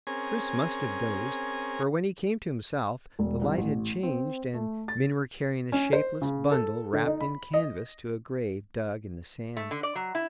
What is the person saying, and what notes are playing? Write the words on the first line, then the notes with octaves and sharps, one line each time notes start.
Chris must have dozed, for when he came to himself the light had changed, and men were carrying a shapeless bundle wrapped in canvas to a grave dug in the sand.
C4 C#4 G#4 A#4 G#5
E1
C2
A1
C4
A3
A6
C#4
C5
C#3
A4
D3
D#4
B5
D#5
A3
D3
D5
F#3
E4